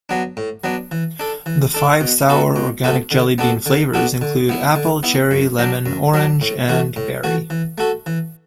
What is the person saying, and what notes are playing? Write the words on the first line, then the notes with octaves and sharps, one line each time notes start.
The five sour organic jelly bean flavors include apple, cherry, lemon, orange, and berry.
F#3 B3 D4
A2
F#3 B3 D4
E3
D4 A4
E3
D4 A4
B2
B3 F#4 A4
B2
B3 F#4 A4
D3
B3 D4 F#4 A4
D3
B3 D4 F#4 A4
D3
B3 E4
D3
B3 E4
F#2
F#3 D4
F#2
F#3 D4
A2
E3 A3 F#4
A2
E3 A3 F#4
E3
A3 F#4 A4
E3